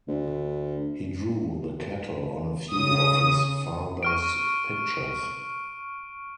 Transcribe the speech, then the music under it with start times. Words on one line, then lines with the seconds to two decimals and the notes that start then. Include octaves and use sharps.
He drew the cattle on a few of his father's pictures.
0.08 D2
2.72 C#3 D#6
4.03 C#6 F6 D7